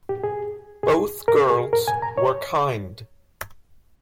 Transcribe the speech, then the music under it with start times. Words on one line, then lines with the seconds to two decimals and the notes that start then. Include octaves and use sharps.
Both girls were kind.
0.09 G4
0.24 G#4
0.83 G#4
1.28 A#4
1.50 G#4
1.73 A#4
1.88 G#5
2.02 A#5
2.18 C#5